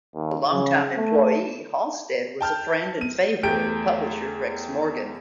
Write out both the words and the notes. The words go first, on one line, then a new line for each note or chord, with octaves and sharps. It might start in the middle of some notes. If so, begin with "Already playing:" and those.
A long-time employee, Halstead was a friend and favorite of publisher Rex Morgan.
D#2
C#3
A3
G5 A5 F6 G6
D#7
E2 A3 G4 G5 G6 D7